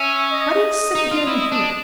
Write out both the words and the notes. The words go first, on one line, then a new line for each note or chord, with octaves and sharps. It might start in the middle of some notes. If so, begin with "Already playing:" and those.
Why do you sit here in the heat?
Already playing: C#4 E5
D#5
D#4
F4
E4
D4